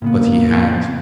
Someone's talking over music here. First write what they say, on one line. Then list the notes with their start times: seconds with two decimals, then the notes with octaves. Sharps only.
But he had.
0.02 A2 C#3 A#3 B3